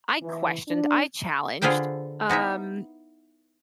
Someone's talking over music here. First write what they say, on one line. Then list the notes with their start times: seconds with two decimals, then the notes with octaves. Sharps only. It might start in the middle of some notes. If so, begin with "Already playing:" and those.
I questioned, I challenged. Um,
0.22 E3
0.69 D4
1.62 D3 F4 G#4 B4 C5 G5
2.29 B3 D#4 E4 E5